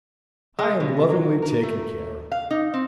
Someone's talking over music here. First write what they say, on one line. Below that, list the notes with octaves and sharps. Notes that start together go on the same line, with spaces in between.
I am lovingly taken care of.
G#3
B2
F#3
A#4
A3
F5
D#4
C4